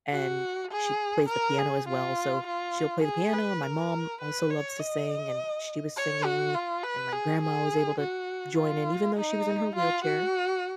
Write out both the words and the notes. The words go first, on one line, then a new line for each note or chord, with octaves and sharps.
and she plays the piano as well, so she'll play the piano, and my mom also loves to sing, and she was singing, and my grandma was able to join in even though she was in her wheelchair.
F#4
G#4
A#4
G#4
F4
F4
G#4
B4
A#4
B4
C#5
D#5
C#5
F#4
F4
B4
G#4
G#4
F#4
F4
D#4
F4
F#4